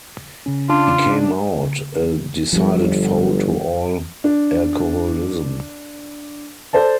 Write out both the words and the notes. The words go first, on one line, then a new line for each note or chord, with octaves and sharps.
He came out a decided foe to all alcoholism.
C#3 C#4
D4 F4
G1 F3 G3
D4
A4 C5 D5 A5